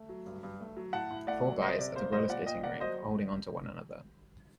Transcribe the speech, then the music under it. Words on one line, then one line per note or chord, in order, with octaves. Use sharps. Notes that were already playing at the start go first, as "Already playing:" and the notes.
Four guys at a rollerskating rink holding on to one another.
Already playing: A3
F#3
G2
G2
A3
F#3
A2 F#5 A5
A2
A3 D5 F#5
F#3
C3 C5 D#5
C3 D5
A#3 C5
G3 C5 D#5
A#2 D5 F#5
A#2 D#5 G5
A#3 D5 F#5
F#3 C5 D#5